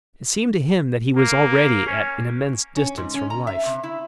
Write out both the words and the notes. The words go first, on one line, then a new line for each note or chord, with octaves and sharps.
It seemed to him that he was already at an immense distance from life.
A#3
C#4
C#4
G#2
C#4
A#5
E5
C3
E4